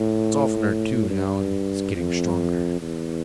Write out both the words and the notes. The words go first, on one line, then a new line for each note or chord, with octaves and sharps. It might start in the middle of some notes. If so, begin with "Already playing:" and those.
It's oftener, too, now, and he's getting stronger.
Already playing: A2
G2
F2
E2